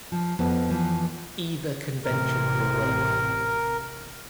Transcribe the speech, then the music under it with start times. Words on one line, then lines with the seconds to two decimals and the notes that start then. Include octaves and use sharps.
Either convention will work.
0.12 F3
0.39 F2 F3 B3
0.70 E3 F3 B3
2.04 A1 C3 A#4